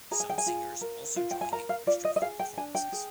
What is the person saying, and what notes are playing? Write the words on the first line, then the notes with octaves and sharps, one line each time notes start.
Some singers also joined the Orchestra for performances.
G#4 A#5
G#5
G5
G#5
F4
A#4
F4
G5
G#5
A#4 A#5
F5
F4 D5
D#5
D#5
G#4 F5
G5
D4 G#5
G5
G#4